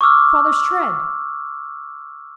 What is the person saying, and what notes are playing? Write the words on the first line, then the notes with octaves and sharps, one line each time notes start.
Father's tread!'
C#6 D6 E6 F6